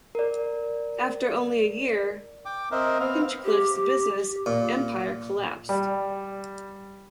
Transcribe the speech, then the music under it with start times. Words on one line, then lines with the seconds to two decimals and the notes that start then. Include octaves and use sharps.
After only a year, Hinchliffe's business empire collapsed.
0.15 A#4 D5
2.45 G5 D6
2.71 C4 A#4 C5 D#5 E5
2.99 B3 C4 F5
3.44 G4
4.46 A#2
5.69 G3